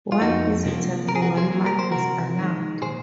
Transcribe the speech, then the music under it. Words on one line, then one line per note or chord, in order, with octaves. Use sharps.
One visitor per one month was allowed.
F4
F2 D#4 F#4
C3 F3 A#3
C3 A#4
G#4
F#4 A#4
G#4 C5
F#3 A#3
A#4
C5
C3 F#4 A#4
D#3 G#3
A#2 G#4 C5